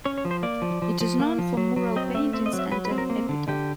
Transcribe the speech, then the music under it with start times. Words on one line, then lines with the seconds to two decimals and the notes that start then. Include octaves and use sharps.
It is known for mural paintings and an epitaph.
0.05 C#4 C#5
0.18 C#5
0.25 F3
0.31 C5
0.43 A#3 D5
0.62 F3
0.82 F3
1.01 F3
1.20 A#3
1.39 F3
1.57 F#3
1.76 F#3
1.96 C4 D#5
2.15 A3 E5
2.33 C4 E5
2.46 D#5
2.53 F#3
2.59 E5
2.72 F#3 B4
2.85 B4
2.91 C4
2.98 A#4
3.10 A#3
3.29 D3
3.48 D3 G4